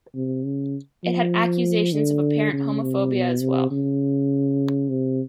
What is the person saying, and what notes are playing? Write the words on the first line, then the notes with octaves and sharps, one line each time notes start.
It had accusations of apparent homophobia as well.
C3
C#3
F3
D3
C#3
C3
B2
C3
C#3
C3